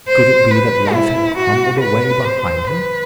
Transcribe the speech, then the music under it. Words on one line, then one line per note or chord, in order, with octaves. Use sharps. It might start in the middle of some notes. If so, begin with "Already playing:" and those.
Could it be that life had crumbled away behind him?
C5
B4
E4
F#4
B4
C5
B4